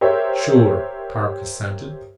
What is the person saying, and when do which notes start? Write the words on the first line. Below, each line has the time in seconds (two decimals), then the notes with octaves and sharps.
"Sure," Park assented.
0.01 G4 A#4 C5 C#5 E5